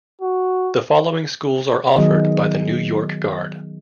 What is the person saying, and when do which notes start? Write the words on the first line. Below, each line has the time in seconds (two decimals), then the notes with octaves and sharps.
The following schools are offered by the New York Guard.
0.22 F#4
1.96 D#3 F#3 B3 G#4 D#5